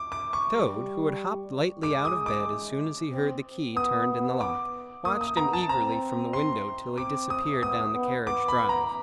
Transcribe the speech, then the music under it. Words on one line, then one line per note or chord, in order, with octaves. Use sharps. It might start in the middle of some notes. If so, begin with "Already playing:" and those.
The Toad, who had hopped lightly out of bed as soon as he heard the key turned in the lock, watched him eagerly from the window till he disappeared down the carriage-drive.
Already playing: D6
D6
C#6
G3
G#3 D6
D#6
D6
C4
B3 D#6
D6
A#3 D#6
D#6
B3 A#5
A5
C4 A#5
C6
C4 D6
D#6
B3 D#6
B3
B3 D6
B5
B3
A#5